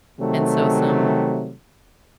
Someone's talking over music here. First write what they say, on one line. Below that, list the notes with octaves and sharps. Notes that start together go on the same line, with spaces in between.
And so some
C3 D#3 F#3 G3 A3